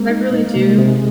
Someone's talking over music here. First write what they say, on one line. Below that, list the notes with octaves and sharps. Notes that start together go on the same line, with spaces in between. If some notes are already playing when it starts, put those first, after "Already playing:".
I really do.
Already playing: G#3 A#3 C4
D#4
D#4
C3 G#3
C3